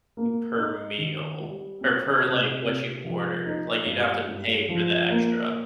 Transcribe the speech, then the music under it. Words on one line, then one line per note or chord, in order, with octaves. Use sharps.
per meal or per, like, what you order. Like, you'd have to pay for the extra
A#3
D#4
D#3
G3
C4
C3
C3
F3
D#4
G2
G2
F3
A#3